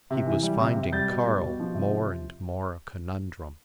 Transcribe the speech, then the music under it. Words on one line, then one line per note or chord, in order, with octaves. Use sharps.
He was finding Carl more and more a conundrum.
C3
E3
G3
C3
C3
G3 G6 A6
B2
G3
B2
F3
C3
F3